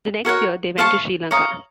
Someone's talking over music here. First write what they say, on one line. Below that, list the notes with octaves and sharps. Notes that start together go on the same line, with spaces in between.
The next year they went to Sri Lanka.
F#4 A#4 C#5 F#5
C5 F5 A5 C#6
C#5 F5 A#5 D#6